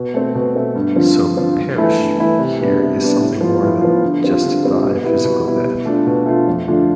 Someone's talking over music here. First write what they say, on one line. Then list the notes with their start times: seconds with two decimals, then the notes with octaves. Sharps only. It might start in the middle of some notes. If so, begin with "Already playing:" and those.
So "perish" here is something more than just to die a physical death.
Already playing: B2
0.14 A3 C4
0.35 B2
0.55 A3 C4
0.75 G2
0.95 D3 F3 C4 F4
1.16 G2
1.37 D3 F3 C4 F4
1.58 G2
1.78 E3 A3 E4
1.97 G2
2.18 E3 A3 E4
2.39 C3
2.60 G3 B3 D4
2.79 C3
3.01 G3 B3 D4
3.20 A2
3.41 F3 B3 F4
3.62 A2
3.81 F3 B3 F4
4.02 D3
4.22 G3 C4 F4
4.42 D3
4.63 G3 C4 F4
4.84 B2
5.04 G3 B3 E4
5.24 B2
5.45 G3 B3 E4
5.65 B2
5.85 A3 D4 F4
6.07 B2
6.26 A3 D4 F4
6.48 F2
6.68 D3 A3 D4 F4